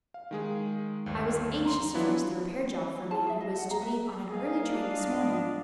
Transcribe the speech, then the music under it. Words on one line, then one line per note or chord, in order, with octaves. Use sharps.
I was anxious to finish the repair job for a man who was to leave on an early train this morning.
F5
D#3 G#3 G#4
G1 D#2
A#5 C6
E3 F#3 B3 D4 E4 F4
E4 F4 G#4 A5
G#4 E5
D#5
D#5 F#5
G#4 A#5
B4 E5
A#3 G#4 D#5 F5
D4 F4
G#2